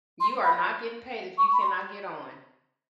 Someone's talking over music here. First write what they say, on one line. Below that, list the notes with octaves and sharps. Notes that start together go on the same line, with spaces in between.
You are not getting paid if you cannot get on.
C6
B5
C#6
B5
C6